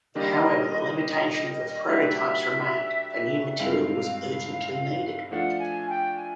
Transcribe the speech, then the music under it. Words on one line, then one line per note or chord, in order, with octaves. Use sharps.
However the limitation of the prototypes remained, a new material was urgently needed.
D#3 G3 A#3 D4 G4 D#5
F#3 A3 D4 G4 B4 E5
G2 D#3 G#3 C4 E4 F5
F3 A3 D4 F4 F#5
G#5
G5
G#5